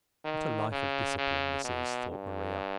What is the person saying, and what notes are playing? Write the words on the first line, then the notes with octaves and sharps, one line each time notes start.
"What a life of discipline this is!" thought Maria.
D#3
C#3
C#3
B2
G2